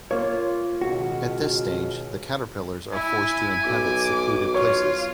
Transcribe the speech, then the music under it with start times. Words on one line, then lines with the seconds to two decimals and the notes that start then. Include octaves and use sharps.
At this stage, the caterpillars are forced to inhabit secluded places.
0.11 A#3 F4 C#5
0.81 C#2 B2 D#3 F#4
2.93 E4 G#5
3.65 B1 D6
4.54 F4 C#5